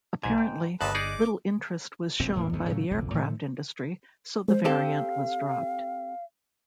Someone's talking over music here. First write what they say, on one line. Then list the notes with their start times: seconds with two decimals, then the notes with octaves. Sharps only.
Apparently, little interest was shown by the aircraft industry, so the variant was dropped.
0.23 B1 G#2 G#5 G#6
0.38 G5
0.81 G1 D#2 A#2 A4 B4 D#5 A5 F#6
0.95 D#4 G#4 D5 D6
2.20 E1 A#1 F#2 C4
2.35 D#1 A2 A3 A#3
2.53 G#1 E2 D3 D#3
2.69 A2 C#3 F#3 A3
2.91 F#1 B1 F2 D3
3.14 A2 D#3 F3 A3
4.48 G#3 C5
4.65 C4 G4 A4 F5